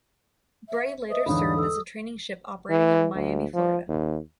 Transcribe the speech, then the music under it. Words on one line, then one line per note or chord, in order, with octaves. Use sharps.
"Bray" later served as a training ship operating out of Miami, Florida.
E5
B4 C5 D#5 E5 D#6
E2 G#2 D3 C#5 F5 B5 D#6
A4 E6
E3
D2
F3
D#2